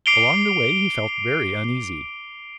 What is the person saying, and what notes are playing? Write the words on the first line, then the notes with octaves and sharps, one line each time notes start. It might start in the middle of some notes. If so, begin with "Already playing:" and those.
Along the way he felt very uneasy.
D6 C7 D7 F7 G7